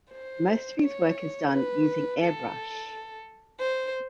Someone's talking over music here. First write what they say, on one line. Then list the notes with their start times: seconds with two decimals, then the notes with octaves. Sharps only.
Most of his work is done using airbrush.
0.12 C5
0.81 C#5
1.52 B4
2.22 A4
3.60 C5